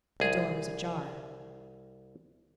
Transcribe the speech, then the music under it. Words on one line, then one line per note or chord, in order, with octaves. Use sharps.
The door was ajar.
C2 G#4